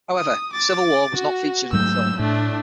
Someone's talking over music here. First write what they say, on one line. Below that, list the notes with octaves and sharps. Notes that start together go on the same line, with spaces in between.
However, "Civil War" was not featured in the film.
D#6
D6 A6
F#4
G#2 F#3 A3 E6 G6
A2 A3 D4